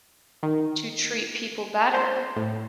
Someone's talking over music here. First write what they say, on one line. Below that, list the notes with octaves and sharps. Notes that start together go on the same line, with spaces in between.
to treat people better,
D#3
C5
A2